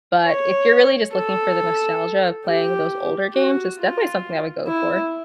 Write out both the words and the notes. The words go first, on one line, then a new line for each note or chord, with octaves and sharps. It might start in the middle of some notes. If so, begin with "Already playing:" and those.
but if you're really just looking for the nostalgia of playing those older games, it's definitely something I would go for.
C#5
A4
G4
F#4
F4
E4